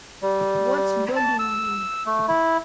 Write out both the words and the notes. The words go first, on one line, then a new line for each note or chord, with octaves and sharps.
What’s bugging you?
G3
A5
E6
A3
E4